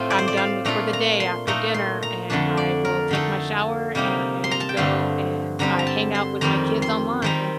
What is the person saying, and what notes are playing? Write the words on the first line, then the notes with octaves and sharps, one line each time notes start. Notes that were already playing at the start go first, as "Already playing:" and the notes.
I'm done with for the day after dinner, and I will take my shower, and I go and I hang out with my kids online.
Already playing: A2 A3 C4 F4 G5
D5
C5
D5
F5
A#2 A3 D4 F4 A#5
A#5
C6
A#2 A3 D#4 A#5
C6
A#5
F2 D3 A3 D4 A5
D5
A#4
D3 A3 D#4 A4
C3 G3 A#3 D#4
C6
A#5
A5
G5
G2 D3 A3 C4 F5
D3 G3 C4 A#5
A#5
A5
C6
F2 D#3 G3 C4 A#5
C6
D#3 G3 C4 A#5